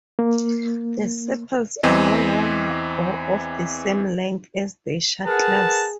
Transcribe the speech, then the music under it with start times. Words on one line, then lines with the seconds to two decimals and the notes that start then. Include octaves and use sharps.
The sepals are longer or of the same length as the shuttles.
0.19 A#3
1.83 E2 E3 C4 D#5
5.26 G#4 A#4 B4 F#5 A5